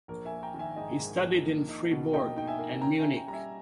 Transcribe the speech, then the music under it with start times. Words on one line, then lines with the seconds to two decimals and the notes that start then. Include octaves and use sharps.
He studied in Fribourg and Munich.
0.08 A#1 A#4
0.25 E5 G#5
0.32 A#3
0.43 G5 A#5
0.54 D#3
0.59 E5 G#5
0.77 G#2 D#5 G5
0.99 G#2
1.22 A#1
1.46 A#3
1.68 D#4
1.91 B2
2.13 A#3 D#5 G5
2.36 D#4 G5
2.47 E5 G#5
2.59 A#3
2.82 C#4 G5 A#5
2.99 E5 G#5
3.06 C#4
3.16 G5 A#5
3.28 G3 A#5
3.33 E5 G#5